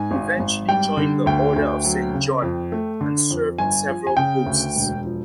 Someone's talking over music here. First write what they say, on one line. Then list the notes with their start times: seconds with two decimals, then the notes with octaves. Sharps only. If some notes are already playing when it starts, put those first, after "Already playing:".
He eventually joined the Order of Saint John, and served in several posts.
Already playing: G#2 G#5
0.11 G#1
0.40 G#1
0.68 G3 G5
0.97 D3
1.26 D2 G5
1.56 D2
1.84 F#3
2.14 C#3
2.42 F2
2.72 A3
3.01 D3
3.31 F2
3.58 G1 G#5
3.88 F3
4.07 G#5
4.17 C#3 G5
4.46 D2
4.76 E1
5.05 F3